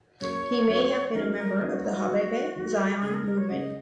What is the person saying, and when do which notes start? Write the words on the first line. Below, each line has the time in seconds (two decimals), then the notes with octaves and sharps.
He may have been a member of the Hovevei Zion movement.
0.21 F#2 F#3 A#3 F#4 C#5
0.68 F#2 F#3 A#3 F#4
1.14 D#3 F#3 A#3 C#4 A#4
1.38 A#4
1.61 D#3 F#3 A#3 C#4 G#4
1.74 F#4
1.85 D#4
1.96 F#4
2.08 D#3 F#3 A#3
2.56 D#3 F#3 A#3
3.02 C#3 G#3 C#4 G#4
3.14 A#4
3.26 A#4
3.38 C#5
3.49 C#3 G#3 C#4 D#5